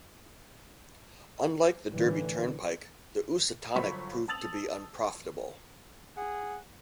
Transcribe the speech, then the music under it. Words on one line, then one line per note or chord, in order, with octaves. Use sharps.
Unlike the Derby Turnpike, the Ousatonic proved to be unprofitable.
A2 D3 E3 G3
G1 F3 F#3 B5 C#6 B6
A5 D#6 E6 A6 F7 F#7
G#4 F#5